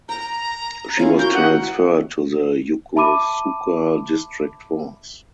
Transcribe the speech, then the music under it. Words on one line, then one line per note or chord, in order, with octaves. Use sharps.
She was transferred to the Yokosuka District Force.
G5 A#5
C#4 E4 F4 C#5
F#4 A#4 G6
F#5
E5 A5 B5 D6 D#7